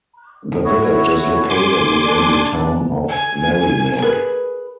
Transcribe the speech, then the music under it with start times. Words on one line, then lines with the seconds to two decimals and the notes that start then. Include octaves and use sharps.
The village is located within the Town of Merrimac.
0.65 E4 F#4 C#5
1.50 G#5 C6 D6
2.05 D4 D5
3.09 G#5
4.03 G#4 A#4 B4